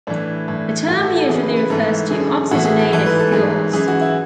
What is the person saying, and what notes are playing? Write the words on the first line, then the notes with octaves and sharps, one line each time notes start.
The term usually refers to oxygenated fuels.
A2 E3 D4
A2 E3
A2 E3 F#4
A4
A4
F#2 C#3 E3 G#4
B4
B4
G#2 E3 A4
F#2 D3 G#4
A2 E3 F#4
G#4
A4
G#2 E3 A4
B4
A4
G#2 E3 G#4
F#2 E3 G#4
F#4
E4